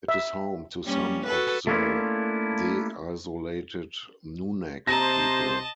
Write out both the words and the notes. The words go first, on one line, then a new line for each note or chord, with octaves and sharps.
It is home to some of the deisolated Nunak people.
E5
G3 A#3 C#4
F#4 A4 B4
A3 A#3 C#4 D4 E4 F4
C3 C5 D#5 A5 A#5 A#6